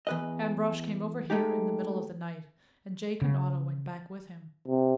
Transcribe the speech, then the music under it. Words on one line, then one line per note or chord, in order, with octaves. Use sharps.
Ambrosch came over here in the middle of the night, and Jake and Otto went back with him.
E2 B4 D#5
G#3 A3 D#4 G4
C#3
C3